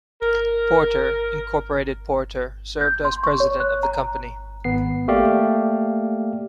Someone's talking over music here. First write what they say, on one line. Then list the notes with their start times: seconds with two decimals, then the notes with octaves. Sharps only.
Porter, Incorporated Porter served as president of the company.
0.22 A#4
2.81 G6
3.05 C6
3.24 C#6
3.40 C#5
3.60 F#6
3.83 A#5
4.64 G#1 B3 C7
5.08 A3 A#3 G4 D5 F5